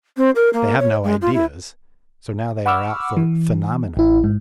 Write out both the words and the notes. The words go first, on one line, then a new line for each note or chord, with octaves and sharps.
They have no ideas, so now they are out for phenomena.
C4
A#4
A#3
C#5
G#3
F4
E4
F#5 B5 C#6 D6 E6 F6
E3
A1 E4
G#2